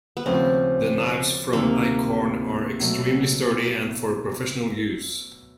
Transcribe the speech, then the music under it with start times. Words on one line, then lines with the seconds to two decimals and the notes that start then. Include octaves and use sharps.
The knives from Eickhorn are extremely sturdy and for professional use.
0.17 B3
0.26 D#2 C#3 F3 A3 C4 C#4
1.53 D2 C3 D#3 A#3
2.80 B2 F#3 A3